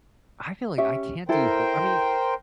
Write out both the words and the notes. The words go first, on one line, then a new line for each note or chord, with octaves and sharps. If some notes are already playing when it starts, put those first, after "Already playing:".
I feel like I can't do hor I mean,
C#4 G4 E5
E4 A4 A#4 C5 G5